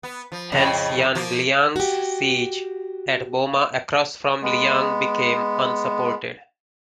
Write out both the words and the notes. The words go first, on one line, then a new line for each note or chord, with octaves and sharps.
Hence Yan Liang's siege at Boma across from Liyang became unsupported.
B3
F3
F2 A2 C#3
F3 A#3
F#4 G4
G#3 B3